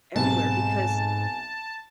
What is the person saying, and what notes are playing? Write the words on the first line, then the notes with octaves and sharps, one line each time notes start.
everywhere? Because
B1 G#2 C3 G#5 A5